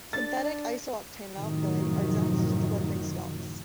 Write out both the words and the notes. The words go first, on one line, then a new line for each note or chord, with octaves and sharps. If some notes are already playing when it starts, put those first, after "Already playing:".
Synthetic iso-octane and alkylate are examples of such blending stocks.
D4 A6
F#2 A2 C3 D#3 F3 F#3